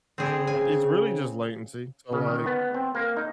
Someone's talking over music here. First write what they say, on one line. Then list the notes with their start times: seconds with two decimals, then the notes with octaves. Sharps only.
Mm, it's really just latency so, like,
0.18 C4 G#4
0.47 C#3 G#5
2.13 C#3
2.27 D#3
2.46 B3
2.75 C4
2.95 A#3
3.17 D#4